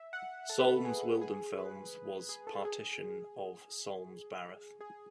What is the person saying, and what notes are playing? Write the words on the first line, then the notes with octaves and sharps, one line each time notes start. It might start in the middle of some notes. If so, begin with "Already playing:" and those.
Solms-Wildenfels was a partition of Solms-Baruth.
Already playing: E5
F#5
A4
B4
A4
G#4
G#4
B4
G#4
A4
G#4
G#4